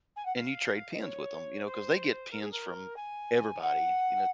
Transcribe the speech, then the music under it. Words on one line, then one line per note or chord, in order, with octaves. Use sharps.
and you trade pins with 'em, you know, 'cause they get pins from everybody. You know, th
G#5
F#5
F5
D#5
C#5
C5
A#4
G#4
A#4
G#5
F#5